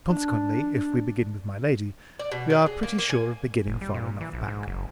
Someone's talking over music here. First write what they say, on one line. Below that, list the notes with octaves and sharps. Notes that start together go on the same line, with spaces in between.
Consequently, if we begin with my lady, we are pretty sure of beginning far enough back.
D4
D5
B2
F#3
G#4
A#3
A#3
G#5
F#1
G3
A#2
E3
A#1
G#2
F#1